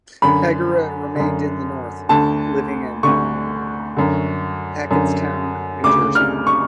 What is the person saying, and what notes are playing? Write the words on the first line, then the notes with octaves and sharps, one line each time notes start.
Hargrett remained in the north, living in Hackettstown, New Jersey.
F#2 D3 B5
F#2 D3
D2 D3 A5
D2 D3 C#6
F#2 D3
F#2 D3
D2 C#3 D6
F6
C#6